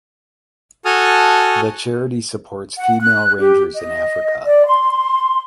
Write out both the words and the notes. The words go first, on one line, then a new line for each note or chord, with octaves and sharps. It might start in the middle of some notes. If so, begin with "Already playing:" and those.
The charity supports female rangers in Africa.
F#4 A4 G#5 A5 D#6 F6
F#5
F#6
G4
D#5
D5
C6